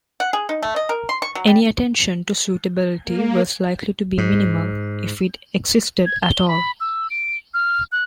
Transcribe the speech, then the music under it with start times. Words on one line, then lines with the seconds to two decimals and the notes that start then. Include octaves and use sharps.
Any attention to suitability was likely to be minimal, if it existed at all.
0.20 F#5
0.33 G#4
0.49 D#4
0.63 A3
0.76 D#5
0.89 A#4
1.09 C6
1.22 C#6
1.35 F#3
1.47 G3
3.04 A#3
4.18 G#2
6.06 G#6
6.22 G7
6.48 B5
6.80 E6
7.10 D7
7.54 F6
7.92 F#6